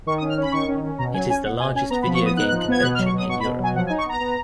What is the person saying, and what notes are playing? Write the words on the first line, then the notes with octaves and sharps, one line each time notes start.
It is the largest video game convention in Europe.
D#3 C#6
D#6
C#4
F6
C#4 B5
D#3 C#6
C#4
C#4
B2 A#5
F#3 G#5
C#4 G#5
B2 F#5
B2 G#5
C#4 G#5
B3 A#5
B5
F3
C#6
B3 D#6
D#4 F#6
F#6
F3
F#6
B3 G#6
G#6
B2 F#6
F6
F#3
C#6
B2 D#6
B2 C#6
B5
B2
F#3 G#5
F3 F#5
G#5
D#4
C#6
B3 A#5
B3